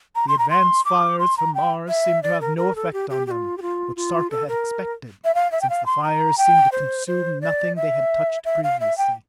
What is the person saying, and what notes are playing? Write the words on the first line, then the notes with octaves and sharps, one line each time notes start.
The advance fires from Mars seemed to have no effect on them, which Sarka had expected, since the fires seemed to consume nothing they had touched previously.
A#5
C6
A#5
C6
D6
C6
A#5
G5
E5
D5
A#4
A#4
A4
G4
G4
G4
F4
G4
F4
F4
A4
A#4
E5
F5
E5
G5
F5
C6
A#5
G5
C5
C5
D5
E5
E5
F5
E5
G5